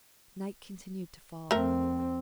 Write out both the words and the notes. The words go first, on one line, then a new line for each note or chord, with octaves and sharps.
Night continued to fall.
F2 A3 C4 A#4